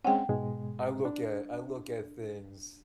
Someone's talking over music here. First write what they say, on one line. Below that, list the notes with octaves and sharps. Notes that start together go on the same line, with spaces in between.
I look at I look at things
G#3 C4 C#4 F#5 G5
G#2 B2 G#3
D4